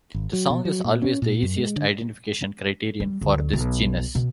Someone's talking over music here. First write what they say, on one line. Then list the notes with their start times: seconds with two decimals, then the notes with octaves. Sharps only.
The song is always the easiest identification criterion for this genus.
0.14 G#1
0.33 F#3
0.50 B2
0.65 F#3
0.84 A#2
1.02 C#4
1.22 A#2
1.42 F#2
1.56 G#3
1.76 D3
3.00 G3
3.21 D2
3.53 B1
4.15 B2